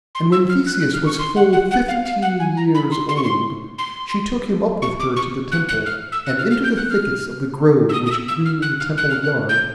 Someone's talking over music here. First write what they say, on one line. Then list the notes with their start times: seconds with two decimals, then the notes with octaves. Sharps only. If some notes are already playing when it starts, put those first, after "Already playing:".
And when Theseus was full fifteen years old she took him up with her to the temple, and into the thickets of the grove which grew in the temple-yard.
0.15 C6
0.32 E6
0.49 F6
0.67 F#6
0.80 F#6
0.93 F6
1.06 C#6
1.19 C6
1.36 F#5
1.53 F#5
1.71 F#5
1.88 F5
2.05 F5
2.22 F#5
2.40 G#5
2.57 A#5
2.74 B5
2.92 C6
3.09 C6
3.16 C#6
3.24 C6
3.78 C6
4.82 C#6
5.00 D6
5.16 C#6
5.52 F#6
5.68 F#6
5.86 F6
6.12 E6
6.26 F#6
6.38 F6
6.50 F6
6.64 G6
6.77 F#6
6.90 F6
7.89 E6
7.93 D#6
8.06 D#6
8.11 E6
8.28 E6
8.45 F6
8.62 F#6
8.80 F6
8.97 F#6
9.10 F6
9.23 F#6
9.49 G6